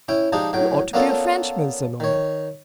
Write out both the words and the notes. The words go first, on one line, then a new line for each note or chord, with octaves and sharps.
You ought to be a Frenchman, Sir Norman!
C#4 E4 G5
F3 G#3 D4 D#4 G4
A2 F#3 G5
A#3 B3 C#4 D4 F4 A4
D#3 C#5